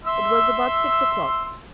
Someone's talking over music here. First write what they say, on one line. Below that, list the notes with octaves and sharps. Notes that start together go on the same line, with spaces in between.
It was about six o'clock.
E5 C6 E6